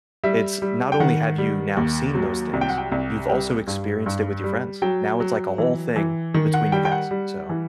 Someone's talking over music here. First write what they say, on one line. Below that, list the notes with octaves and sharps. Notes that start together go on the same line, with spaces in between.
it's not only have you now seen those things, you've also experienced it with your friends. Now, it's like a whole thing between you guys, so
G3 E5
G3
G5
D#3 F#5
G3
D#2
F#3
C2
G5
F#5
G5
C2
G3 G5
G2
G2
G3
F#3 G5
F#3
E3
E3
D#3
F#5
G3 G5
G5
F#5
G3
E3